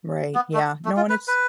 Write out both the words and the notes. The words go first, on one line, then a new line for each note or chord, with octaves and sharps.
Right, yeah. No, and it's
B3
A3
A3
F4
B4
B4